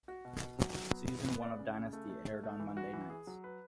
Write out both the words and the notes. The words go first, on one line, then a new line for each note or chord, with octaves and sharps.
Season one of "Dynasty" aired on Monday nights.
F#4
B2
B2
F#3
F#3
B3
B3
B3
D5
C#3
C#3
A3
A3
A3
A3
E3
F#4
E3
G#4
F#3
B4